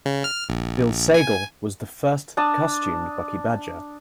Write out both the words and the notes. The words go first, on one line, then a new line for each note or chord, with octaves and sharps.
Bill Sagal was the first costumed Bucky Badger.
C#3
F6
A#1
G#5
D4 A5 D#6